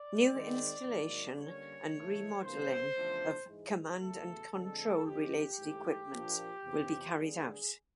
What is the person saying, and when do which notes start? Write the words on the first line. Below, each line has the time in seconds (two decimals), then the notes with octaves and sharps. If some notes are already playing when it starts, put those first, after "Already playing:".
New installation and remodeling of command and control related equipment will be carried out.
Already playing: D5
0.31 D#3 G#3 C4
0.83 G#2 D#3 F#3 A#3
1.36 D3 G3 A#3 C#4 C#5
1.89 C#3 E3 A3
2.42 C3 E3 G3 A#3 D4 C5
2.95 E2 C#3 F3 A3 D4
3.46 G#2 E3 G#3
3.99 E2 C#3 F#3 A3 A4
4.52 D3 F3 G#3 C4 A4
5.05 E2 C#3 F3 G#3 C#4 G4
5.57 G#2 E3 A3
6.10 A#2 F3 A#3 D4
6.63 E2 C3 F3
7.15 D3 G3 B3 D4 G#4